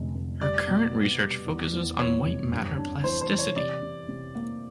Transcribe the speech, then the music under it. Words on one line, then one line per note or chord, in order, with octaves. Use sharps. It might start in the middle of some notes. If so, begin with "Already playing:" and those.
Her current research focuses on white matter plasticity.
Already playing: F1 D3
F1
G3 D5
B2
B3
G3
E2
E2
E2 C#5
F1
G2
D4
E3 C5
C5
E3
C#5
C3 D5
C3
C3
A#3